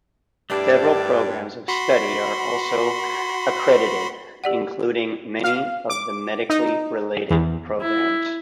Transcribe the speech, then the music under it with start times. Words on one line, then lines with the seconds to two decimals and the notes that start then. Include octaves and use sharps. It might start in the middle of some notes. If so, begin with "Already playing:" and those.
Several programs of study are also accredited, including many of the medically related programs.
0.50 G2 A3 D4 E4 G4 D5
1.68 F#4 B5 C6
4.44 G4 D5 F#5
5.44 F5
5.90 D6
6.50 D#4
7.30 E2
7.81 E4